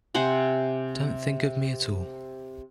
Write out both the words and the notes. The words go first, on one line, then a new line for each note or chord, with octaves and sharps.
Don't think of me at all.
C3 C5 F#5 G#5